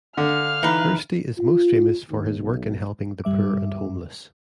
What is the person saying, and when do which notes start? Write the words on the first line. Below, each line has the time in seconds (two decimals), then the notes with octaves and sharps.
Hursti is most famous for his work in helping the poor and homeless.
0.17 D3 F5 F6
0.63 E3 D#4 B4
1.38 F4
2.09 D#2
2.40 B1
3.24 G2 G3 E5 D6